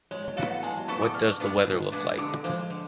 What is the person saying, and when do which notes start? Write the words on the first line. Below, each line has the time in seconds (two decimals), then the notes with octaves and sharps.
What does the weather look like?
0.11 G#3 C#5
0.24 C#5
0.37 B3 F#4 A4 F5
0.50 F#5
0.63 G#3 G#5
0.76 A5
0.88 B3 F#4 A4 C#6
1.02 D6
1.14 B2 F6
1.40 G#3 B3 D4 G#4
1.66 B2
1.92 G#3 B3 D4 G#4
2.18 D3 D6
2.44 F3 G#3
2.70 D3